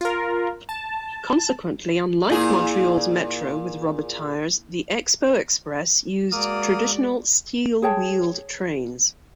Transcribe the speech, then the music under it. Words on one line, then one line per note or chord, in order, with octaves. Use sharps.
Consequently, unlike Montreal's Metro with rubber tires, the Expo Express used traditional steel-wheeled trains.
F4 A#4
A5
A#2 A#3 E4 G#4
G#3 A#3 F#4 D5 D#6 F6
G#4 C#5 G5 A5